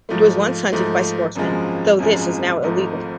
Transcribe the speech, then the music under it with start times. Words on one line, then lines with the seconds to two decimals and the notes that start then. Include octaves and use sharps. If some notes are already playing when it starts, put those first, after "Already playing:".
It was once hunted by sportsmen, though this is now illegal.
0.09 G#2 F3 A3
0.72 G#2 F3 A3
1.35 G#1 F#2 F3 G#3
1.99 G#1 F#2 F3 G#3
2.62 G#1 G#2 F3 A3